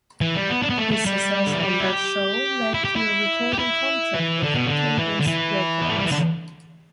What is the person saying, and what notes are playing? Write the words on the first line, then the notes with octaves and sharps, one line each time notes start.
His success on that show led to a recording contract with Cadence Records.
E3
G3
B3
D4
B3
A3
A3
G3
D3
E3
G3
E4
G4
E4
G4
E4
G4
E4
E3
D3
B2
D3
E3
D3
E3
B3
A3
G3
E3
D3